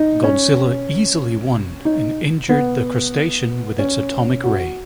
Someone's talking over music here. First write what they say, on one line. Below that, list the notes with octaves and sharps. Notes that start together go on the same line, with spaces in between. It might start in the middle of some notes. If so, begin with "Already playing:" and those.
Godzilla easily won and injured the crustacean with its atomic ray.
Already playing: D#4
C#4
D#4
B3
C#4
F#4